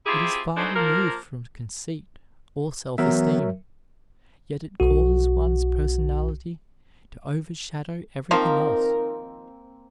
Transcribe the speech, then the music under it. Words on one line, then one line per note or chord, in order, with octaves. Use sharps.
It is far removed from conceit or self-esteem, yet it causes one's personality to overshadow everything else.
C3 E4 F4 G4 G#4
E3 G#3 A3 C4 D4 D#4
F3 A#3 A#4
E3 F#3 B3 A#4 E5
B1 F#4
D#3 F3 A#3 C4 D#4 A#4